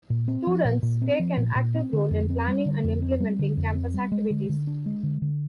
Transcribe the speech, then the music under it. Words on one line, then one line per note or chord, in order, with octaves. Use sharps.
Students take an active role in planning and implementing campus activities.
A#2
C4
F3
A#2
A#2
C4
F3
A#2
A#2
C4
D3
F2
C4
G3
D3
F2
C4
G3
D3
F2
C4
G3
G#3
D3
D3
D4
G#3
D3
D3